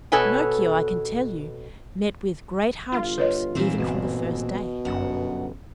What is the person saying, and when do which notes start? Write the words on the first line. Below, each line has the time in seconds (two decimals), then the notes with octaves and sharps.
Pinocchio, I can tell you, met with great hardships even from the first day.
0.12 B2 A4 B4 C#5 G#5
2.92 G1 F4
3.18 B4 C#5 D#5
3.55 D#2 A#2 E3 C4
3.78 G1 B2
4.85 G1 F#2 F#5